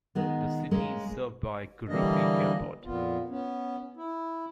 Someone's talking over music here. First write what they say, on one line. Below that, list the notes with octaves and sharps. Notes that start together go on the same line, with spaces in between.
The city is served by Gurupi Airport.
D#3 G#3 B3
G#3 A#3 C#4
D3 E3 G3 A#3 D4 D#5
F2 A#2 B3 F4
B3 C#4
E4